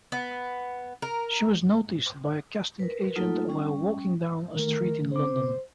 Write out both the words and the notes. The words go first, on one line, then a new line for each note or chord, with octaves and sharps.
She was noticed by a casting agent while walking down a street in London.
B3
A#4
A#4 B4
F#3 A3 A#3 D#4 F4 A4
G3 C#4
D#3 A3 A#4
C#3 C4 C5 D6